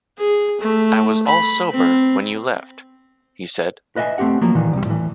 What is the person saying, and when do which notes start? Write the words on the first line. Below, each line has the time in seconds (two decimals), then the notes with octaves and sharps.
"I was all sober when you left," he said.
0.18 G#4
0.61 A3
1.27 B5
1.71 C4
3.96 B4 D#5 E5 F#5 G#5
4.18 A3 C4 C#4 G4 F#5
4.41 F3 F#3 A#3
4.55 A#2 D#3 E3
4.73 C2 G3
4.86 A2 E3